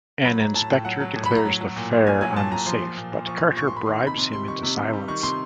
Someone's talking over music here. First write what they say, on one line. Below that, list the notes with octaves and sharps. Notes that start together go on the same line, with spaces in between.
An inspector declares the fair unsafe but Carter bribes him into silence.
F#3 B5
F#3 A#5
A2 A5
A2 G5
F#3 F#5
F#3
A2
B5
A2
A#5
F#3
F#3
A#2
A#2
F#3 G#5
F#3 G#5
A#2 A5
A#2 A#5
F3 C6
F3
A#2
A#2
F3 C#6
F3
A#2 C#6
C6
A#2 B5
D#3 C6
C3 B5
C3 C6
G3 C6
D#3 C#6
C3
C3
G3
D#3 C#6
C3 C6